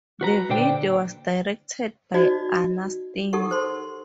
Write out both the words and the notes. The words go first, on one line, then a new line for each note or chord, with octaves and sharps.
The video was directed by Ana Sting.
F#4 B4 A#5
A#2 D3 C5 D5 G5
D#4 F#4 C5 D5 D#5
D#4 G4 A4 A#4 F#5 C#6
C5 C6